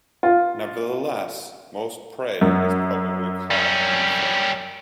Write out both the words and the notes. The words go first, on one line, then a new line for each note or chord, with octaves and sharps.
Nevertheless, most prey is probably caught in flight.
F4
F#2
G3 C#4